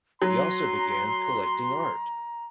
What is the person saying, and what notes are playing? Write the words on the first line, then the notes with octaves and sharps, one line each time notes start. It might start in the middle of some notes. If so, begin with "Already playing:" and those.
He also began collecting art.
F#3 A#5 C6